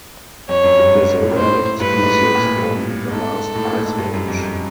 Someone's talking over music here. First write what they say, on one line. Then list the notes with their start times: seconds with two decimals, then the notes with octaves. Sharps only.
It is a relict species from the last ice age.
0.49 F2 C#5
0.64 F#2
0.78 G2
0.93 G#2
1.22 A2
1.31 A#2
1.36 A2 C5
1.80 G2 B4
1.93 A2
2.03 G#2
2.24 A2
2.35 A#2
2.47 A2
2.57 G2
3.11 G#2 A4
3.55 A2
3.65 A#2
3.70 A2
3.85 G#2
3.98 G2
4.14 F#2
4.28 F2
4.43 F#2